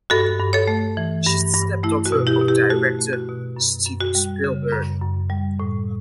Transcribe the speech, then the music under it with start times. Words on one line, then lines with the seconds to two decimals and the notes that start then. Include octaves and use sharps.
She is the stepdaughter of director Steven Spielberg.
0.10 G2 F#4 A4
0.39 G2
0.53 A4 C#5
0.67 A3
0.97 E3
1.26 G2
1.54 G2
1.83 A3 E4
2.06 F#4
2.12 B2
2.27 E4 G4
2.41 B2
2.48 E4 G4
2.70 A3 F#4
2.99 A3
3.13 F#4
3.28 B2
3.57 F#2
3.86 F#2
4.01 F#4
4.15 G3
4.44 C#3
4.72 F#2
5.02 F#2
5.30 G3
5.60 A2